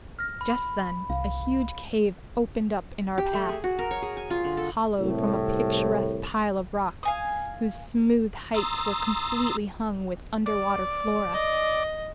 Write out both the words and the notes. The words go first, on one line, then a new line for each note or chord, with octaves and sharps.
Just then a huge cave opened up in our path, hollowed from a picturesque pile of rocks whose smooth heights were completely hung with underwater flora.
F6 A#6
B5
C2 F5
G4
A3
G#4
F#4
A#4
C#5
G#4
G#5
F4
D3
A4
C2 A2
F5 G#5 D#6
A#5 C6 D#6 E6 A6
D5
D#5